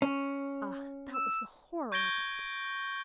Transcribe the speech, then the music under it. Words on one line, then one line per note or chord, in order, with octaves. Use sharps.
Ah, that was the horror of it!
C#4
E6
C#6 G6 G#6 A#6 D7 G7